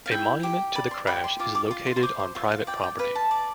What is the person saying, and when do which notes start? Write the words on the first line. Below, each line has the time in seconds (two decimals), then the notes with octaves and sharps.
A monument to the crash is located on private property.
0.06 F5
0.11 E4 G5
0.43 G4
0.75 D5 B5
0.91 C6
1.07 G4 B5
1.24 C6
1.39 F4 D6
1.55 D6
1.71 F4
1.87 C6
1.97 C6
2.03 C5 D6
2.19 C6
2.35 F4 E5
2.52 F5
2.67 D5 G5
2.84 G5
2.99 B4 F5
3.15 A5
3.31 D5